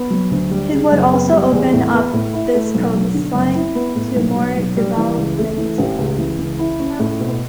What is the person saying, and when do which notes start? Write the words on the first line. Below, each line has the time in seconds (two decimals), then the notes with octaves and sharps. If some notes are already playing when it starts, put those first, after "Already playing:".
It would also open up this coastline to more development.
Already playing: B3
0.11 F#3
0.31 D2
0.51 G3
0.71 C#3
0.92 F#1
1.12 B3
1.32 G3
1.52 E2
1.73 A2
1.93 B3
2.13 A2
2.33 E4
2.54 A3
2.74 B1
2.94 F#3
3.14 D3
3.34 F#1
3.55 E4
3.75 B3
3.95 A2
4.16 B1
4.36 F#3
4.56 B1
4.76 G3
4.97 E3
5.17 C#2
5.38 A3
5.58 E3
5.78 A1
5.98 C#2
6.18 E3
6.39 C#2
6.59 E4
6.79 C#4
6.99 A2
7.19 B2